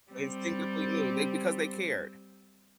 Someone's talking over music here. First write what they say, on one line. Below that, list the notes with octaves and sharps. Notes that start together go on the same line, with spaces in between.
they instinctively knew. They because they cared.
G3 C4